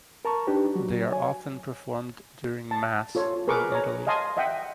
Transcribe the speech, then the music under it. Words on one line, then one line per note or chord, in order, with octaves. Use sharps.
They are often performed during Mass in Italy.
A#4 A5 A#5 C#6
D4 D#4 G4 B4
F#3 F#4
C#5 G#5
A5
F4 A4 C#5
G#4 A#4 B4 C#6 D6
C#5 A#5
D#5 F5 G#5 A5 C6 D#6
D#5 E5 F#5 G5